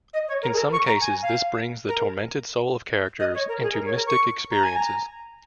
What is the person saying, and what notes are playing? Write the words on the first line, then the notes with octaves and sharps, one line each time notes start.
In some cases this brings the tormented soul of characters into mystic experiences.
D#5
C#5
A#4
G#4
A#4
C#6
A#5
G#5
F5
A#4
D#5
C#5
A#4
G#4
A#4
C#5
A#4
C#6
A#5
G#5
A#5